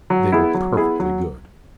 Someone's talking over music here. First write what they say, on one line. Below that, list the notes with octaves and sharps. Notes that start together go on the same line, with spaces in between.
They were perfectly good.
F#3
B3 E4 G#4
F#3
B3 E4 G#4
F#3